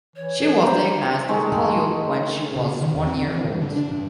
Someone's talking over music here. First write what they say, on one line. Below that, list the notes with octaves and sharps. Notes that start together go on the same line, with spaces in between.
She was diagnosed with polio when she was one year old.
E3 C#5
D4 C5 A#5
D#3 G#3 A3
C#3
D#3
E2
C4
E3
G2
D3
D4
G2